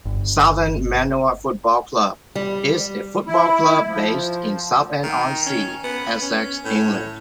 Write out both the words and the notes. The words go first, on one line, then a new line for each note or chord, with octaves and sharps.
Southend Manor Football Club is a football club based in Southend-on-Sea, Essex, England.
G1
G3
E4
F3
D#3
C#4
B3
C#4
A2